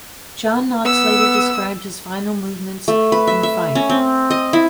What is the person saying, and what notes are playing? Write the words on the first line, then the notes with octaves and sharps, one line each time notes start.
John Knox later described his final movements in Fife.
B3 E6
A3
B4
E5
E5
C#4
C4
D#5
E4